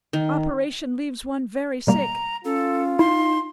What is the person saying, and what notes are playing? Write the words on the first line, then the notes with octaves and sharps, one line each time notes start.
Operation leaves one very sick.
D#3
B2 G3 A#3 A#5
C#4 F4 A4
D#4 E4 C6